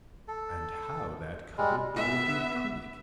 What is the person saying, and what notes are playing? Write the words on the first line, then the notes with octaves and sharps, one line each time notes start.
And how that cupboard-door did creak!
A4
G3 G#3
B3 E5